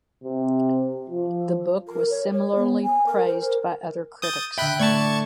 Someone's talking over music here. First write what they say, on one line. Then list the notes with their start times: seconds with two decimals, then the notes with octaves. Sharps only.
The book was similarly praised by other critics.
0.24 C3
1.10 F3
1.87 A#4
2.10 C#5
2.32 C#5
2.55 B3
2.83 G#5
3.07 A#4
3.27 C5
3.40 A#4
4.22 D#6 G6 A6
4.58 D3 E5 G5 B5 F#6
4.79 A3 D5 A5 C#6 G#6